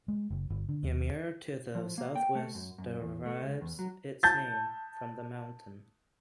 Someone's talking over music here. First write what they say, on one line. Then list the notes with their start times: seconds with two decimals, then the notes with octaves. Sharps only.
Ymir to the southwest derives its name from the mountain.
0.08 G#3
0.30 F#1
0.50 G1
0.69 D3
0.83 D#2
1.75 F3
1.98 A#3
2.16 G5
2.35 A3
2.55 F#2
2.78 F#2
3.01 E2
3.26 A3
3.41 C#2
3.61 E2
3.79 F#3
4.23 A5 G6 A6